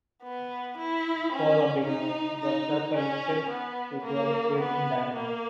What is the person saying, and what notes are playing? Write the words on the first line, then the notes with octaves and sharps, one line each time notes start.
For a beginner, the circle is six to twelve feet in diameter.
B3
E4
C#4
D#4
D#4
C#4
B3
A#3
B3
A#3